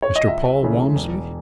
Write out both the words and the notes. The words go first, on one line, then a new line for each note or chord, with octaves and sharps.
"Mr. Paul Walmsley?"
C#5
D#5
C#2 E5
C#3 E3 A3
E1